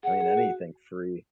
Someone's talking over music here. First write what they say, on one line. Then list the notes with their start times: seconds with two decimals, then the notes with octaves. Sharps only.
I mean, anything free.
0.03 G#4 F#5
0.20 G#4
0.37 F#4